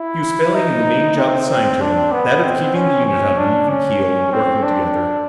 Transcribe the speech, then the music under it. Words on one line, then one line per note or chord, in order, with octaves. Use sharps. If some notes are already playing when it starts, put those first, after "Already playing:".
He was failing in the main job assigned to him, that of keeping the unit on an even keel and working together.
Already playing: E4
D#4
C4
C4
D4
B3
C4
C#4
C#4
D4
C#4
C4
D4